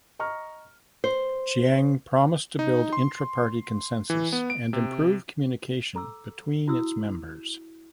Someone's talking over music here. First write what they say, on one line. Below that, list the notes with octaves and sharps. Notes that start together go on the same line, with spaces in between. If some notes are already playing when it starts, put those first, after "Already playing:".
Chiang promised to build intraparty consensus and improve communication between its members.
D#5 A#5 C#6 F6
C5
D#4
C6
E3
B3
D7
C3
A4 A#5 D6 E6
E4 F#4 D#6 E6